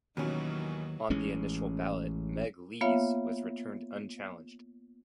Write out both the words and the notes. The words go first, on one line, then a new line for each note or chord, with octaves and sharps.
On the initial ballot, Meg Lees was returned unchallenged.
D#2 B2 D#3 E3 F#3 C#4
A1 E3 G#3 C#4
A#3 B3 F4 C#5 E5 F5